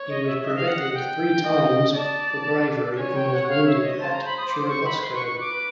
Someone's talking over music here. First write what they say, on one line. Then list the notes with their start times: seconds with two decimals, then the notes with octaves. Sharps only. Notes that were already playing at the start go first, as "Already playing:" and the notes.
He was brevetted three times for bravery and was wounded at Churubusco.
Already playing: C#5
0.09 D#5
0.26 E5
0.43 D#5 E5
0.56 F5
0.68 F#5
0.81 F#5
0.94 G5
1.45 D#5
1.96 D5 A5
2.98 C#5 G#5
3.15 G5
3.32 F#5
3.49 F5
3.66 E5
3.82 D#5
4.00 C5 A5
4.13 A#5
4.25 B5
4.38 D#6
4.51 D6
4.68 C#6
4.85 B5
5.01 B4 C6
5.14 C#6
5.28 C#6
5.40 D6